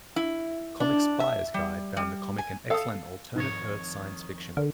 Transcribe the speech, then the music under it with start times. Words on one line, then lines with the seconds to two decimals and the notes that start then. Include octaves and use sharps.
Comics Buyer's Guide found the comic an excellent alternate-Earth science fiction.
0.16 E4
0.80 D4
1.20 E5
1.54 G3
1.97 G3
2.38 G#5
2.70 A4 F5 D#6 E6
3.36 F2 G#2 D#3 C#5
4.57 D3 A#4